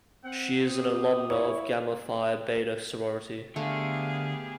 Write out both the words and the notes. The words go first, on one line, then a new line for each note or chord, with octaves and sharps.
She is an alumna of Gamma Phi Beta sorority.
C4 F#5
G4 D#6
E4 C#5
D3 A3 B3 G4 G#4 F5